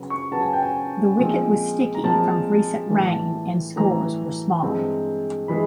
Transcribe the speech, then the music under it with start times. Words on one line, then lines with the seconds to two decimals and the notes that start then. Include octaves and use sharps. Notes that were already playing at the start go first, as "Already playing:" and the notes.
The wicket was sticky, from recent rain, and scores were small.
Already playing: C#3 F#3 B3
0.10 C#6
0.32 C#3 F#3 B3 A5
0.42 G#5
0.53 G5
0.63 G#5
1.19 A#2 F3 G#3 C4
1.95 A#5
2.04 A#2 F3 G#3 C4 A5
2.90 A2 E3 G3
3.76 A2 E3 G3 A#5
4.62 G2 E3 G#3 C4
5.48 E3 G#3 B5